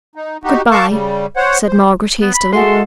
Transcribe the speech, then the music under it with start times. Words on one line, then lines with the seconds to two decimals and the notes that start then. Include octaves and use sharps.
'Good-bye!' said Margaret, hastily.
0.15 D#4
0.44 D#4 F#4 G4
0.71 A#4 F5 A5 C#6 D6
0.89 C#3 G3
1.37 C5 C#5 F#5
1.67 C5
2.21 B3
2.34 B5
2.52 G#3 F#4 A4 E5 C6